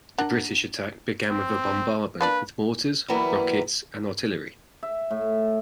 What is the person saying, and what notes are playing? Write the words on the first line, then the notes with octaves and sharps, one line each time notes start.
The British attack began with a bombardment with mortars, rockets, and artillery.
D4 A#4 F#5
C4
A#3 D4 B4 D5
E3 F#3 G3 A#3 B3 E4
E5
A2